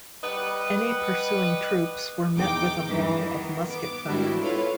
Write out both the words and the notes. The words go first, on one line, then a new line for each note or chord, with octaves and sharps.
Any pursuing troops were met with a wall of musket fire.
G3 B4 D#5 F#5
E2 D#4 G5 D6
G2 D#3 E3 D#4
D#3 B3
B3 D6
G#2 G3 D4 E4 F#4
E4 F4 A4 B4 C#5 F5